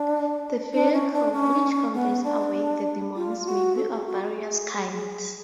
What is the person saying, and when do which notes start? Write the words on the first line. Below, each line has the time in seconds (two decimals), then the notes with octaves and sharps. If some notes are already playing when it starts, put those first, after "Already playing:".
The vehicle which conveys away the demons may be of various kinds.
Already playing: D4
0.73 D4
0.92 C#4
1.13 D4
1.33 C#4
1.94 B3
2.24 D4
3.16 F4
3.46 F#4
3.76 A4
3.91 G#4
4.06 F#4
4.22 G#4